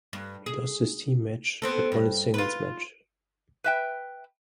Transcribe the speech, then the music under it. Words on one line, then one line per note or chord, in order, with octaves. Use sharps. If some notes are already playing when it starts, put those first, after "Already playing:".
He lost his team match, but won his singles match.
G2
G#4
B3 C4 A4
G2
F4 B4
B4 E5 G5